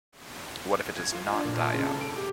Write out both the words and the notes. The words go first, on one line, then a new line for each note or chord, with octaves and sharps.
What if it does not die out?
G#6
F4
D4
A#2
A5
C#3
A4
D7
G4